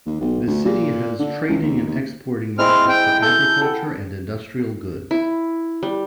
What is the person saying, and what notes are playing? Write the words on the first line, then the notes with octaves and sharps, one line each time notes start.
The city has trading and exporting markets for agriculture and industrial goods.
D#2
B1
D2
A#2
D3
C#2
D#2
D#2
G#3 C4 E4 F6
G5
A4 G6
A4 F#5 G5
E4
G3